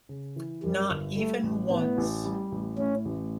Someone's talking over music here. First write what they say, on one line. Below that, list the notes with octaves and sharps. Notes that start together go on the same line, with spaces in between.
Not even once.
C#3
E3
F#2 G3
G1
G3 A3
A1
A2 B3
A1
G3
A1
A2 C#4
A1